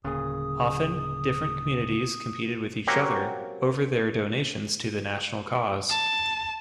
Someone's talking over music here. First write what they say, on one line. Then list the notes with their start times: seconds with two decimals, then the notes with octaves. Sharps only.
Often, different communities competed with each other over their donations to the national cause.
0.05 D1 C#3 A#3 G#4 D#6
2.87 F#3 A#3 C4 C#4 F#4 G4
5.90 A5